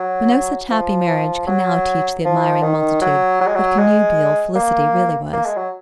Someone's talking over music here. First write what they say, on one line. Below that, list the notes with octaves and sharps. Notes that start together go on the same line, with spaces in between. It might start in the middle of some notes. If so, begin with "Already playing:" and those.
But no such happy marriage could now teach the admiring multitude what connubial felicity really was.
Already playing: F#3
F3
F3
F#3
F3
D#3
F#3
F#3
G#3
F#3
G#3
A#3
A#3
G#3
F#3